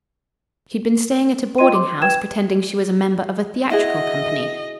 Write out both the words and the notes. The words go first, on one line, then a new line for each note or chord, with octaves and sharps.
She'd been staying at a boarding-house pretending she was a member of a theatrical company.
F4 D#5 G5 C6 D#7
C6 D6
B4 G5 G#6 E7
E4 F#4 G#4 D#5 E5